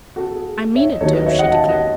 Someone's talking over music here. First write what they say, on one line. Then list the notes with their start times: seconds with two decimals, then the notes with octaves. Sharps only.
"I mean it to," she declared.
0.16 F#4 A4
0.34 G#4
0.75 C#5 E5
0.92 D#5
1.00 D#2 D#3 F#3 A4 C#5
1.13 B4 D#5
1.26 C#5 E5
1.39 D#5 F#5
1.51 F#5 A5
1.69 D#5 F#5